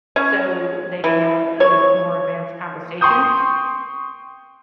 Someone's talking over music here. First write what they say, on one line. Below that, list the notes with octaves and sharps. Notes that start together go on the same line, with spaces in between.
so they can have a, you know, a more advanced conversation,
C#4
E3
C#5
G5 C6 C#6 D#6 G6